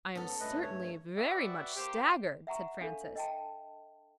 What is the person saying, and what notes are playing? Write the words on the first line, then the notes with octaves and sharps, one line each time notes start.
"I am certainly very much staggered," said Francis.
G#2 B3 C#4 A4
G2 A3 B4 D#5
C#5
F#4 B4 D5 E5 F#5 G5
A#3 G4 C5
E5 F#5 A#5 C#6
D4 A4 F5
D#5 G5 A5